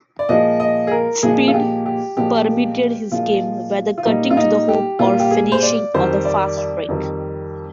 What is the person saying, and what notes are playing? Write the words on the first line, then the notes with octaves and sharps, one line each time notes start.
Speed permeated his game, whether cutting to the hoop or finishing on the fast-break.
D5
A#2 F3 G#3 D#5
D#5
G#4
A#4
A#2 F3 G#3 G#4
F4
G4
G4
A#2 F3 G#3 G4
A#2 F3 G#3 F4
F4
A#2 G3 D#4
F4
D#4
G4
A#2 G3 F4
G4
G#4
C5
D5
F2 D#3 G3 C5
D5
D5
F2 D#3 G3